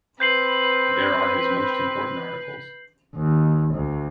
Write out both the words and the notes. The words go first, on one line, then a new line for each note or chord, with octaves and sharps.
There are his most important articles.
C4 B4 G6 C7 F#7
D#2
D2